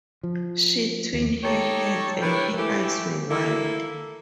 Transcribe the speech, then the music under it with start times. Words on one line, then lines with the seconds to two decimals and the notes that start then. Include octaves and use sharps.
She twined her hands and her eyes were wild.
0.23 F3
1.13 D#2
1.44 D#4 G4 A4 C#5
2.22 D4 E4 G4 A#4 B4 C#5
2.56 E3 A3 G4
3.29 A#3 E4 A4